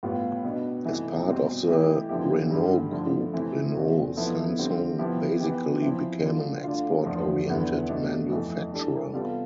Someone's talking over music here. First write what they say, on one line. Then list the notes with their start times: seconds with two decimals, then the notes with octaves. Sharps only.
As part of the Renault group, Renault Samsung basically became an export-oriented manufacturer.
0.03 A2 G3 B3 F4
0.44 B2 B3 D4
0.85 C3 E3 A3 E4
1.27 B2 G3 C4
1.68 E3 A3 E4 G4
2.09 D3 F3 B3 E4 G4
2.51 G2 D3 G3
2.91 D3 F3 A3
3.33 C3 E3 A3 C4 E4
3.75 E2 B2 A3 C4
4.16 F3 B3 E4 A4
4.58 D3 G3 C4
4.99 F3 B3 E4 G4
5.40 E3 B3 E4 G4
5.82 F3 C4 E4
6.23 D3 G3 D4 F4
6.64 D3 A3 D4 F4
7.05 E2 D3 F3 A3
7.47 E2 D3 G3 B3 E4
7.89 B2 A3 D4
8.30 F2 E3 A3
8.72 E3 G3 D4 A4
9.12 C3 G3 B3 F4 A4